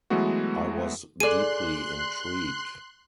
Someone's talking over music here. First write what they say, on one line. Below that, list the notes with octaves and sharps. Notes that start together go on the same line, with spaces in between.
I was deeply intrigued.
E3 F#3 G#3 A3 B3 F#4
G#4 A4 D5 C6 F#6 D#7